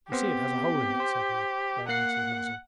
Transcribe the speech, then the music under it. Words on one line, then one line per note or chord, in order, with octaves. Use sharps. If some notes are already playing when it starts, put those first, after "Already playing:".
You see it has a hole in it,' said he, blowing into the muzzle.
B3 C4 G4 C5
C5
A#3 F#5 F#6 C7